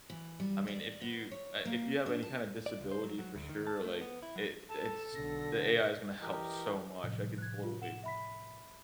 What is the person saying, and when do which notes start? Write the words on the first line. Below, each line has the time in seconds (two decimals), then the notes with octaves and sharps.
I mean, if you, uh, if you have any kinda disability for sure, like, it it's the AI is gonna help so much, I could totally
0.10 E3
0.40 G3
0.67 D5
1.02 B3
1.32 C#5
1.65 A#3
2.06 D4
2.23 A5
2.66 D5
2.80 C#2
2.92 C5
3.03 F#3
3.19 F#3
3.35 D2
3.49 D#3
3.67 A5
3.85 A3
4.01 B3
4.23 E4
4.36 F#3
4.69 A4 A5
5.15 B1 D3 A#6
6.22 E3 G4 A#4 D#5
7.04 A2 C3 F3
7.38 F#6 G#6
7.63 F4
7.82 F#5 E7
8.04 E5 B5 B6